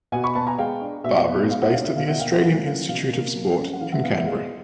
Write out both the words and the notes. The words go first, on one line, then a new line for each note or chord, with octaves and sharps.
Barber is based at the Australian Institute of Sport in Canberra.
B2 F#5 G#5
B5 C#6
B3 A5 B5
G#5 A#5
G#3 F5 G5
D4
B2 E5
B3
G#3 F5
E5 F#5
D4 F5
E5
B2 F5
E5 F#5
A#3 F5 G5
E5 F#5
F#3 F5
C#4 F5
B2 F5
A#3
F#3
C#4
F#5
E3 F5
E5 F#5
B3 F5
E5 F#5
G#3 F5